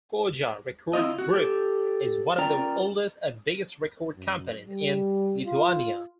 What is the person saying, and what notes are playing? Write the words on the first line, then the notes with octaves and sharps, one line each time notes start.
Koja Records Group is one of the oldest and biggest record companies in Lithuania.
C4 E4 F4 D#5
F#4
G4 A4 C#5
C#4 F4 A#4 D5 G5 A#5
F#2
G3
F4